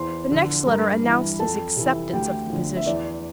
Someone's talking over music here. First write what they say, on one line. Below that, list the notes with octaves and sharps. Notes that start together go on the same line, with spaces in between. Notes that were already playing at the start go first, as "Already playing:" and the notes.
The next letter announced his acceptance of the position.
Already playing: E2 C5 C6
D3 F3
G2 A#4 A#5
E3
F2 A4 A5
C3 E3
D2 G4 G5
D3 F3
E5
E2 D5